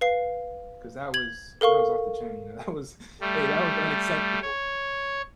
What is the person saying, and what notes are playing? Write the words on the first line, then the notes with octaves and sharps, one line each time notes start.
'cause that was that was off the chain, and that was hey, that was unacceptable.
B4 F5 C7
G#6 F#7
A4 A#4 F5 C#6
G3 A3
C#5